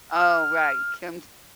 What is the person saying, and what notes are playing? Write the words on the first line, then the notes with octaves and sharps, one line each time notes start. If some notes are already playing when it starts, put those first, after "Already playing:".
Oh, right. Come t
D#6
F6